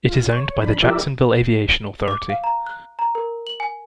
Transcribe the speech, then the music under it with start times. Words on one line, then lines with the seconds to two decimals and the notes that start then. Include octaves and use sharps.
It is owned by the Jacksonville Aviation Authority.
0.08 F4
0.32 C#5
0.61 F2 D4 B5
0.82 F3 E4 G4 A#4 D5 E5
2.08 D6
2.30 F5
2.44 A#5
2.67 F#6
2.99 A#5
3.15 A#4
3.47 F#7
3.60 G#5